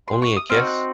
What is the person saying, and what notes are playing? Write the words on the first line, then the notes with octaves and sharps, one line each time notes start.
Only a kiss?
C6
C#6
D#6
C4 D#4 F#4 F6
F#6